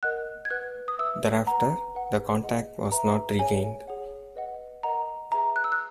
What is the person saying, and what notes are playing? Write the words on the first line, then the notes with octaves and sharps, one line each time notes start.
Thereafter the contact was not regained.
A#4 D#5 F#5 F#6
G#6
B4 F#5 F#6
D#6
B4 E5 E6
B4 F#5 A#5
B4 F#5
G#4 D#5 F#5
B4 E5 A#5
G#4 C#5 E5 G#5
G#4 C#5 F#5
B4 D#5 F#5
A#4 D#5 F#5 A#5
G#4 B4 E5 A#5
F#6
E6
F#6